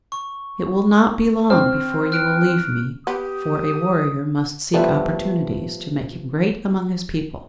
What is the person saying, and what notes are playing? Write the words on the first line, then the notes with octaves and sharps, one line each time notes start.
It will not be long before you will leave me, for a warrior must seek opportunities to make him great among his people.
C#6
C4 F6
F6 F#6 D7
B3 G4 D#6
F3 G3 A3 B3